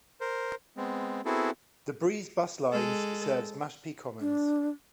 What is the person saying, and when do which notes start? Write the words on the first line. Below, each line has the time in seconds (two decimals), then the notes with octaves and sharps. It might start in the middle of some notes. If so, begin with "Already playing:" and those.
The Breeze bus lines serves Mashpee Commons.
0.21 A#4 C5
0.77 G#3 B3 C4
1.26 B3 C4 E4 F#4 G#4 A4
2.72 G#3 A4
4.21 D4